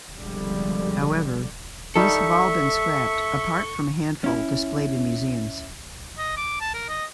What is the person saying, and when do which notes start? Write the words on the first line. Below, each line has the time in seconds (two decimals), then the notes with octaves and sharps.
However, these have all been scrapped, apart from a handful displayed in museums.
0.16 C2 B2 D3 F3 G3 G#3
1.96 D#3 G3 D#4 A4 E5 C#6
4.24 C#4 E4
6.18 D#5
6.37 D6
6.61 A5
6.74 A#4
6.89 D#5